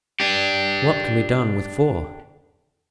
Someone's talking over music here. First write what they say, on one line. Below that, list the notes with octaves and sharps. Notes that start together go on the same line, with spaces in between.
"What can be done with four?"
D4 G4